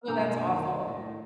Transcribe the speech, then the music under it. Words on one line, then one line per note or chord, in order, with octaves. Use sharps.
Oh, that's awful.
F#2 B2 A#3 D4 A#4 A#5
F#1 C2 D#3
A2